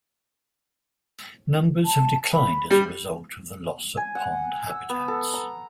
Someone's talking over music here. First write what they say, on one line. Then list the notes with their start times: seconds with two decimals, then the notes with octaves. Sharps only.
Numbers have declined as a result of the loss of pond habitats.
1.86 A5
2.34 B5
2.70 G3
3.97 G#5
4.15 F#5
4.70 E6
4.89 B3
5.08 A4
5.34 A#5